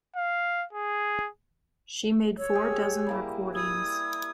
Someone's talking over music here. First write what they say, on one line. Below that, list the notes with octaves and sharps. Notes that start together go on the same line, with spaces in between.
She made four dozen recordings.
F5
G#4
C#5 E6
G4 G#4
G3 A#3 E4
D#6 E6 G#6